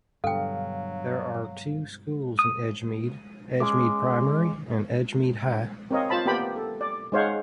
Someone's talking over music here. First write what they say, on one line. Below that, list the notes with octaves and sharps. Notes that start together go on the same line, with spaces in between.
There are two schools in Edgemead: Edgemead Primary and Edgemead High.
G2 B2 D3 F#3 A4 F5 G5
D#6
G#3 C#4 D6
C4 A#4 C#5 D#5 F5
F4 C5 A5 B5
A#3 B3 G4 D5 G5 B5
A4
D5
G#3 D#4 C5 C#5 F5 F#5